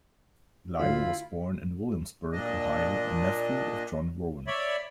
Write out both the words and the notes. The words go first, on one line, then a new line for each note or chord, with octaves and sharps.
Lytle was born in Williamsburg, Ohio, a nephew of John Rowan.
D2 E4 F4 F5 B5
A#2 D4 D#5
C#5 D5 E5 B5